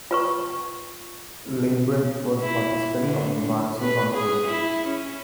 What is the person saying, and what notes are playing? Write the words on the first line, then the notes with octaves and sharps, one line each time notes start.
Leibbrandt was a participant of the Wannsee Conference.
F4 B4 C#6
E4
D3
A#2
B4
G#4
E4
C#4